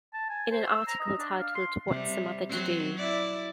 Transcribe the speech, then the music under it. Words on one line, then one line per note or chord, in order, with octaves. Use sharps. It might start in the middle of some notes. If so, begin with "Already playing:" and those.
In an article titled What's a Mother to Do?
A5
G#5
C5
E6
A#5
D#5
D4
F5
C6
C3 G3
F#3 C4 F#4
E4 D5